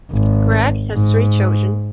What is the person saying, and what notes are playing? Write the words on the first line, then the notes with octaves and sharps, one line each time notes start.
Greg has three children.
G#1
G#2